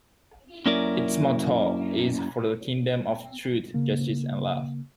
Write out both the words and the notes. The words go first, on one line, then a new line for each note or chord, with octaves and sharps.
Its motto is 'For the Kingdom of Truth, Justice and Love'.
F#2 A#3 C#4 E4 A#4 D5
C#3 A#3